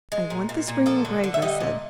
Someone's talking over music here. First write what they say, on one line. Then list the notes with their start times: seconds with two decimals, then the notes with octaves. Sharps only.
"I want this ring engraved," I said.
0.12 G#3
0.30 A#2
0.49 A#2
0.68 A#2
0.86 F3 A4
1.05 D3
1.24 D3
1.34 E5
1.42 G3 D#5
1.60 A#2